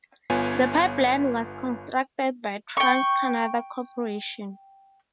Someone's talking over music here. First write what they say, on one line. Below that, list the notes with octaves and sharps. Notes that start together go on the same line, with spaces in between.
The pipeline was constructed by Trans Canada Corporation.
G1 B3 F4 C#5 G#5
G5 C#6